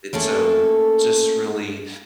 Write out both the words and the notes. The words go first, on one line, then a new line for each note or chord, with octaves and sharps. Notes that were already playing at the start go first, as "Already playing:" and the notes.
it's, um, just really
A3 A#3 C#4 A4